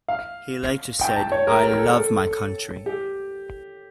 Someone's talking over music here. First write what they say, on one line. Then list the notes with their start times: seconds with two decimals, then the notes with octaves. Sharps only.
He later said, I love my country.
0.08 F5
1.01 G5
1.16 A5
1.32 C#5
1.47 A#4
1.63 A#4
1.78 A4
1.93 A4
2.86 G4